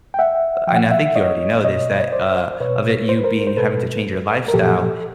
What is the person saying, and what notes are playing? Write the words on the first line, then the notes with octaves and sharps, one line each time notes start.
a and I think you already know this, that, uh, of it you being having to change your lifestyle,
G5
E5 F#5
A#2 F3 F#5 G5
F5
E5 F#5
C#5 D#5
B2 C#5 D#5
C5 D5
B2 B4 C#5
C5
B4
A#4 C5
C5
B2 A4 B4
A#4
A#2 F3 G4 A4